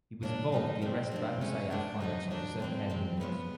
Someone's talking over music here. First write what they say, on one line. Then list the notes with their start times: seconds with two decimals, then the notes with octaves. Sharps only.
He was involved the arrest of Abu Sayyaf finance officer Khair Mundos.
0.23 D#2 C#3 F#3 D4
0.51 D#2 C#3 F#3 D#4
0.81 F3 A#3 C4 D4
1.11 F3 A#3 D4
1.40 C3 D#3 G#3 C#4
1.70 C3 D#3 G#3 D4
2.00 F2 D3 F#3 D#4
2.30 F2 D3 F#3 D4
2.60 C3 E3 G#3 C4
2.90 C3 E3 G#3
3.19 A#2 F3 G#3 B3 C#4